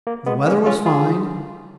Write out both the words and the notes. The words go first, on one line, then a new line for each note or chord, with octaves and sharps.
The weather was fine.
A#3
G#3 B3
A#3 C#4
C#4 F4
F4 G#4